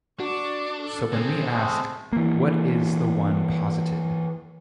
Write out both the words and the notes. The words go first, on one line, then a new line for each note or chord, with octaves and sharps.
So when we ask, What is the one posited?
D4 F#4 C#6 D6
A4
C#3 C4 G#4 G#6
G#3 A3
E3 A#3